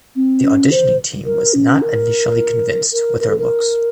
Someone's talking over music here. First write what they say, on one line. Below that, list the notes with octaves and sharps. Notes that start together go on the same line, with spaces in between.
The auditioning team was not initially convinced with her looks.
C4
C#4
C5
A#4
C#4
A#4
A#4
A#4
A4
A#4